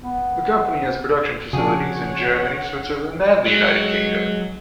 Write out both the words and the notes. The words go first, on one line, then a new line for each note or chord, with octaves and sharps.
The company has production facilities in Germany, Switzerland and the United Kingdom.
B3
C#3 F3 D4 F#4 G#4 C#5 F#5
F#3 G#3